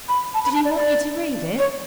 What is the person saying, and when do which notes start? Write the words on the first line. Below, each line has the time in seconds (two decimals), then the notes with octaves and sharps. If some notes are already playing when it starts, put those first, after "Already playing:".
"Did he want you to read it?"
0.09 B5
0.34 A5
0.45 B5
0.55 A5
0.65 D5
0.76 D5
1.59 C#5